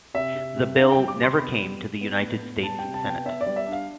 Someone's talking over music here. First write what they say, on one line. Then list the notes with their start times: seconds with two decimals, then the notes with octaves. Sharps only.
The bill never came to the United States Senate.
0.14 C3 E5
0.35 C3
0.56 C3
0.77 D4 F5
0.92 G5
0.97 G3
1.08 D6
1.18 C3 C6
1.39 B3 B5
1.59 G3
1.80 G3
2.01 B3
2.21 A2
2.43 B3
2.63 G3 A5
2.79 G5
2.84 C3
2.94 A5
3.05 B3
3.10 G5
3.25 B3 E5
3.41 D5
3.46 G3
3.56 E5
3.67 D4
3.72 F5